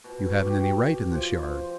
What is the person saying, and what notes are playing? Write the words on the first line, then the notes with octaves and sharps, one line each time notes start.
"You haven't any right in this yard."
B2
G4
F3
C5